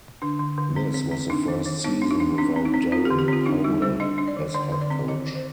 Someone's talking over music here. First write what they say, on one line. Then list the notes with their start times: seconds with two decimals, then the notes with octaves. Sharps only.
This was the first season without Darren Powell as head coach.
0.22 D3 D4
0.39 D3
0.58 D3
0.76 C4
0.94 C4
1.11 C4
1.30 D4 D#4
1.48 D#3
1.66 D#3
1.84 B3 D#4
2.02 D4
2.11 D#4
2.20 D4
2.38 C4 D4
2.56 C4
2.65 D#4
2.74 C4
2.92 C4 F4
3.05 G4
3.10 D3
3.19 G4
3.28 C4 F4
3.46 D4 D#4
3.64 G3 D#4
3.82 G3 C5
4.00 D4 D#5
4.18 D4
4.28 D5
4.37 D#3
4.54 D3 D5
4.72 D3
4.81 D5
4.90 C4
5.08 D#3 D#5
5.26 D#3
5.35 C5